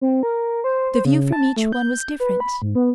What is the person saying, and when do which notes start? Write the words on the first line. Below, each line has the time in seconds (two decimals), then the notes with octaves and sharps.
The view from each one was different.
0.01 C4
0.23 A#4
0.64 C5
0.94 C5
1.05 C#3
1.32 A5
1.57 A3
1.73 G6
2.20 B4
2.40 B5
2.62 G#2
2.75 B3